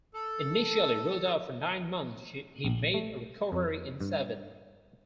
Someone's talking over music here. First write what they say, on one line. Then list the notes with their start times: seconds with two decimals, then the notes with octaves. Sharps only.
Initially ruled out for nine months, he made a recovery in seven.
0.14 A4
2.65 A#1
2.94 A3
3.52 F2
4.00 G2